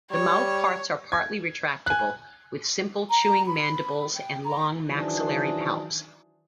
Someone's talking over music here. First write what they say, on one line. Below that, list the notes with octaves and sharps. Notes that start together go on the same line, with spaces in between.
The mouthparts are partly retractable, with simple chewing mandibles and long maxillary palps.
G3 C#5
G#6
G#5 F#6
A#5
B5
G5
A#5
D#3 E3 F#3 D4 G#4 C5